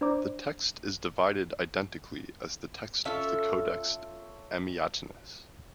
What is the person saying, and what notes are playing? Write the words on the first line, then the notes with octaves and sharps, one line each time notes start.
The text is divided identically as the text of the Codex Amiatinus.
D4 C5 D5 A#5 D6
C#4 F4 A4 E5